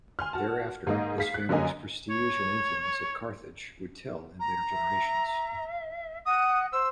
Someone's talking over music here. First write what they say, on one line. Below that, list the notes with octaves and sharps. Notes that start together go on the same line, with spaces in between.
Thereafter, this family's prestige and influence at Carthage would tell in later generations.
G#5 C6 F6
F#4 A5
G#2 A#3 G#4 D#5
G#4 F5 B6 C7
F#6
F#2 D3 A#3 D#5 G#5
C#5
A#5
E5
F#5 D#6
C5 E6